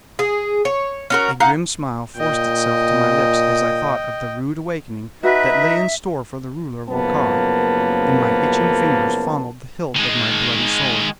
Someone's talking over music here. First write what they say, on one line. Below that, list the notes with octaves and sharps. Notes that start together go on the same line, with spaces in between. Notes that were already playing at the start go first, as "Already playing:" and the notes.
A grim smile forced itself to my lips as I thought of the rude awakening that lay in store for the ruler of Okar, and my itching fingers fondled the hilt of my bloody sword.
G#4
C#5
C#4 F#4 A#4
D#4 F5 F#5
A#2 D#5 G5
D#4 F#4 B4 E5
F#1 F#2 F3 A#3 B3 A5
D#3 G#3